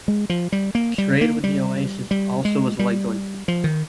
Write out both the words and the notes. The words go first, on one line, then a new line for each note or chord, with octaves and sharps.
Trade with the oases also was likely.
G#3
F3
G3
A#3
G3
A#3
G3
G3
G#3
G3
F3
D#3